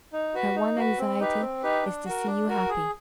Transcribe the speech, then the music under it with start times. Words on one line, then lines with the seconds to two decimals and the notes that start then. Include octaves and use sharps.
Her one anxiety is to see you happy.
0.13 D#4
0.34 F#4 B4
0.56 D#4
0.77 F#4 B4
0.98 C4
1.20 D#4 G4 B4
1.41 C4
1.63 D#4 G4 B4
1.83 D4
2.05 F#4 A#4
2.26 D4
2.49 F#4 A#4
2.69 G#4